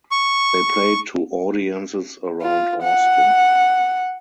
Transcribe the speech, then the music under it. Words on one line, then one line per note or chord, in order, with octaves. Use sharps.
They played to audiences around Austin.
C#6
F4
F#5